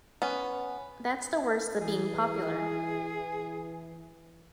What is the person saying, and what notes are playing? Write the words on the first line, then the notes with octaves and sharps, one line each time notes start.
That's the worst of being popular.
B3 C#4
E3 G#4